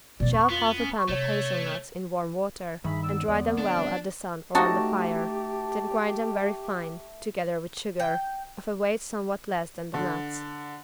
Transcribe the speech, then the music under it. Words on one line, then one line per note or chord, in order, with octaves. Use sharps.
Shell half a pound of hazelnuts in warm water and dry them well at the sun or on the fire, then grind them very fine, together with sugar, of a weight somewhat less than the nuts.
B2 F3 D5
F2 C#6
B3 F4
C#4
C#6
C3 A3 C#5
G2 D#3 G#4 E5 B5
B3 D5 E6
E2 D3 G3 B3 D5
A#3 D4
G3 C4
A3 D#4 F#4 G4 A5
G5
D3